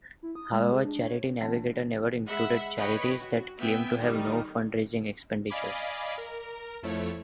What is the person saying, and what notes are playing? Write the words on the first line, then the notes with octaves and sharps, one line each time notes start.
However, Charity Navigator never included charities that claim to have no fundraising expenditures.
E4
D#6
G#3
G#4
D4
C#5
E3 A3 A#3 C4 D4
G#3 E5 F#5 B5
B4 C#5 D#5 G5 B5
F#4
B3 E5 G5 G#5
D#3 G3 A3 D#4
D5 D#5 F5 G#5 B5 D6
A#4
F2 F3 A3 E4 C#5